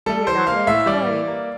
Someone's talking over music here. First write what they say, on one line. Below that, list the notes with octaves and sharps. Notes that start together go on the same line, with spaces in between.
Then you're not really sorry.
G3 A4
E3 C5
A#3 F5
A2 E5
G3 D5
E3
A#3